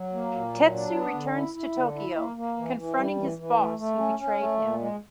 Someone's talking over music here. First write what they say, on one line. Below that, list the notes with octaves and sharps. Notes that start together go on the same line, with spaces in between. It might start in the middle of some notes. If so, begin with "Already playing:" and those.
Tetsu returns to Tokyo, confronting his boss who betrayed him.
Already playing: F#3
A#3
A#2
F#3
D4
B3
D3
E4
E4
D3
E4
A#3
A#3
E3
E3
G3
E3
E3
A3
A3
C#4
C#4
A3
A#2
G#3